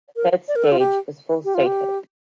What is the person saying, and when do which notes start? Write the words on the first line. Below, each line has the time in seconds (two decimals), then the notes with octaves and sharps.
The third stage was full statehood.
0.16 A#4
0.48 D5
0.56 A#4
0.64 A4
0.72 F4
0.79 G4
1.45 G4
1.55 F4
1.66 G4